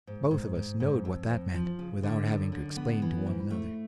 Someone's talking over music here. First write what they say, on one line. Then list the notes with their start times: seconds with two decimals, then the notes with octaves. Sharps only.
Both of us knowed what that meant, without having to explain to one another.
0.07 G#2
0.31 G#2
0.55 G#2
0.80 G#2
1.05 F2
1.30 F2
1.54 F3
1.79 C#3
2.03 D3
2.27 F#2
2.52 D3
2.77 B3
3.02 E3
3.27 G#2
3.50 A3